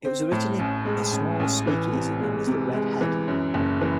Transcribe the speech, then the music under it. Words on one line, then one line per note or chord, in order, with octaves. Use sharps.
It was originally a small speakeasy known as the Red Head.
C4
A2
A1
G#3
A1
A1
E3
C3
G#3
C3
G#3
E3
F#2
F#1
E3